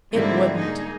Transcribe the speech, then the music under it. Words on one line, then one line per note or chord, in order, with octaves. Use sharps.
It wouldn't.
G#2 D3 G3 A#3 C4 E4
A#3 D#4 G#4